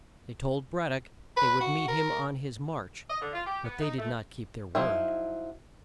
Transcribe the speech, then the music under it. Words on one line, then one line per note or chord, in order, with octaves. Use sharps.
They told Brad-dock they would meet him on his march, but they did not keep their word.
B4
F#4
A#4
D#5
D3
F4
G4
B3
D#4
A3
F3 F#3 D#4 E4